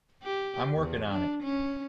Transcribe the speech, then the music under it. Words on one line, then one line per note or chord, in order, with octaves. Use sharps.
I'm working on it.
G4
E2
D4
C#4